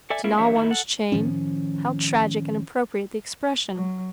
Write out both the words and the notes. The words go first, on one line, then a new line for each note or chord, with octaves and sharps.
To gnaw one's chain--how tragic and appropriate the expression!
A4 D5 E5 G#5
A#3 C#4 E4 F4 A#4
E3 F#3 D4 G4 C#5 E5
F#2 D#3 F#3 A3 E4
A4 F#5
A2 D#3 F3 C#4
F#3